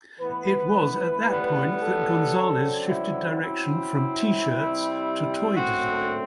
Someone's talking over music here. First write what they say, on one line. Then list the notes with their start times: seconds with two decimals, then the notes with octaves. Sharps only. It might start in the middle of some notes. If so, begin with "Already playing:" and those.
It was at that point that Gonzales shifted direction from T-shirts to toy design.
0.19 A2 E3 B3 B4
1.27 A2 G3 B3
1.80 A4
2.34 F#2 D3 F#3 C4
2.87 E4
3.41 F#2 F#3 C4 E4
4.48 C3 G3 C4
5.55 F#2 D3 A3 C4 F#4